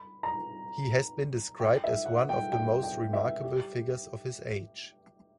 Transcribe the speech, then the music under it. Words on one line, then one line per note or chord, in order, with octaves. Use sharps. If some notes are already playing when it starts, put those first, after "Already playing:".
He has been described as "one of the most remarkable figures of his age".
Already playing: B5
A#5
G5
E5
F#5
G5
G5
G5
E5
G4